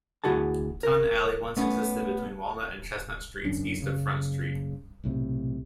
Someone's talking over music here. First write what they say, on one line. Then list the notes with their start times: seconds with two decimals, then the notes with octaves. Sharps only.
Tun Alley once existed between Walnut and Chestnut Streets east of Front Street.
0.24 D2 E3 E4 F#4 G#4 A5
0.83 A#4
1.57 A3 B3 C#4
3.45 F#1 F#2 C#4 D4
3.80 F#1 C#3
5.04 B1 A2 C3